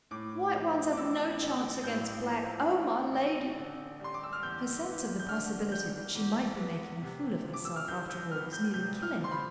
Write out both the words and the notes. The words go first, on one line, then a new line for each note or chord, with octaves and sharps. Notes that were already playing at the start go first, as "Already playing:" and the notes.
"White ones have no chance against black. Oh, my lady!" her sense of the possibility that she might be making a fool of herself after all was nearly killing her.
A2 D6
F3
D6
A1 E6
A1
A2 G6
F3
A1
A1
D3
G3 C6
D6
E6
F6
E2 G6
B3
G6
D3 F6
G3 G6
E2
B3
C3
F3
D6
E6
F6
C2 G6
G6
B3 F6
G6
C3 G6
F6
F3
C6
B5